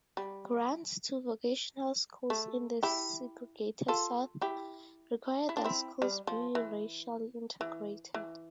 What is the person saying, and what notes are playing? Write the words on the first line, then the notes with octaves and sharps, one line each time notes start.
Grants to vocational schools in the segregated South required that schools be racially integrated.
G3
A3
E4 G4
F4 A4
E4 G4
E4
D4
C4 E4
G3
F3
E3
E3
E3